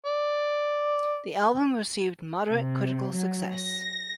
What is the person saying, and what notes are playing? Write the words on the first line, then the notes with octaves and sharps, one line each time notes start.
The album received moderate critical success.
D5
C3
F#3
A#6